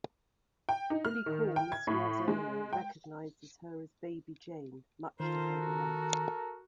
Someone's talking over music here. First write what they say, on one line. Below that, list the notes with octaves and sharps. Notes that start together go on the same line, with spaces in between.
Billy Korn, the store's owner, recognizes her as Baby Jane much to her delight.
G5
D#4
F6
D#3
G5
G#6
A2
G#3
G5
D#3 F4 A4 A#4 C5 A#5
F#4